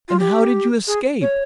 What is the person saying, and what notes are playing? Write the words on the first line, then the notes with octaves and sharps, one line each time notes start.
"And how did you escape?"
F4
G4
G#4
C#5